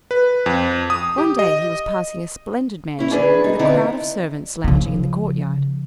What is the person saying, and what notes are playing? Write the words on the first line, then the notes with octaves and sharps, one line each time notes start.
One day he was passing a splendid mansion, with a crowd of servants lounging in the courtyard.
B4
F2
D#6
G4
D#5
C#4 E4
E2 D4 G#4 B4
D#4
D3 B3 C4 D#4 E4
C#3 F3